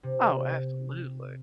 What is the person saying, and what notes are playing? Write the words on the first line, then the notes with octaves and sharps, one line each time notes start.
Oh, absolutely.
C3